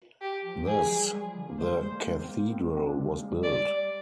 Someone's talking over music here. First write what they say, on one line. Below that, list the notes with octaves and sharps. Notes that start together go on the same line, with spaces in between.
Thus the cathedral was built.
G4
F3
D#3
F3 G#4
G3
G#3
F3
D3
A#3
G#3 C5
G3
G#3
A#3
G#3
C4
A#3
C4
G#3
C4
D4
G3
A#3
G#3
G3
D5